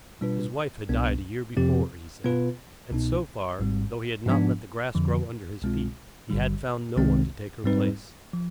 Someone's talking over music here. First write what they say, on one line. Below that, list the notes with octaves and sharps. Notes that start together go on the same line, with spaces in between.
His wife had died a year before, he said, and so far, though he had not let the grass grow under his feet, he had found no one to take her place.
B2 G3 D4 F4 B4
C2 B2 B3 D4
F2 C3 F3 C4 G4
B2 B3 F4 B4
C2 B2 B3 D#4
G#1 G#2 G3 C4
G#2 F3 B3 D4
F2 D3 F3
C2 B2 G#3 C4 F4
G#1 G2 D3 G3
C2 C3 D#3 G#3 C4
G#2 G3 C4 D#4 B4
F3